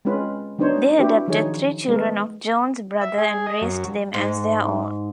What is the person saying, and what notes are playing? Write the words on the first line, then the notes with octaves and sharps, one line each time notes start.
They adopted three children of John's brother and raised them as their own.
G#3 C4 C#4 F4 B4
F#3 B3 D4 D#4 C5 C#5
C4 D4 E4 F#4 G4 B4
D#3 F3 F#3 D#4 G#4 C#5
G#3 B3 A#4
E5
G#4
D#5
F#2
G#2